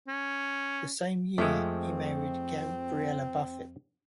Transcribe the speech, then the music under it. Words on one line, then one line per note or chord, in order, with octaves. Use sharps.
The same year, he married Gabrielle Buffet.
C#4
F2 F3 G#3 A3 C4